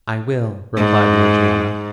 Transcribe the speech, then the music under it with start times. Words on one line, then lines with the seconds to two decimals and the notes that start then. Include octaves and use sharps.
"I will," replied Morgiana.
0.77 G#2